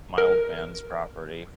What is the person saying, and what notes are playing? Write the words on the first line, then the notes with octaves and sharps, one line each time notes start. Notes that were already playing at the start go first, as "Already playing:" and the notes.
my old man's property
A#4